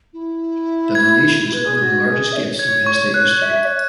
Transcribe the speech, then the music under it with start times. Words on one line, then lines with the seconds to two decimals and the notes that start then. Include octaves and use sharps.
The donation is one of the largest gifts in Penn State history.
0.13 E4
0.95 G#6
1.53 B4
1.65 G#4
1.77 G#4
1.81 F#4
2.05 B4
2.10 G#4
2.32 E5
2.36 C#5
2.59 G#6
2.86 C#6
3.14 F#6
3.42 E5
3.62 E5
3.65 C#5